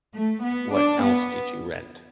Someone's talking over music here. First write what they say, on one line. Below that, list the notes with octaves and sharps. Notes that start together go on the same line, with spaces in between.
What else did you rent?
A3
B3
D4
B3